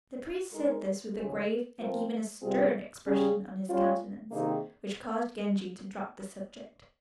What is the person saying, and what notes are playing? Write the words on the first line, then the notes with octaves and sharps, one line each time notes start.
The priest said this with a grave and even a stern expression on his countenance, which caused Genji to drop the subject.
G#3 D#4 A#4
D#2 C#3 F3 G#3
F3 C4 F4 A#4
C3 G3 C4 F4 G#4
C#3 G3 C#4 G#4
G3 C#4 F4
C3 D#3 A#3 D#4 G#4